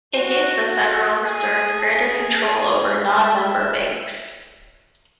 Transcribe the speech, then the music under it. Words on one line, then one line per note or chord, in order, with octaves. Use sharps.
It gave the Federal Reserve greater control over non-member banks.
F#4
G#4
G#4
G#4
E5